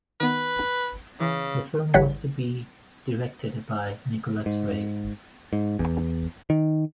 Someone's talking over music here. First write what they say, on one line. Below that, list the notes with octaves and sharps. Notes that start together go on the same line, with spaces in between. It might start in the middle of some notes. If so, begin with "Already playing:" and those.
The film was to be directed by Nicholas Ray.
D#3 B3 B4
C#3 E3
G#1 E3 G3 C#5 F#5 B6
G#2
G#2
E2
D#3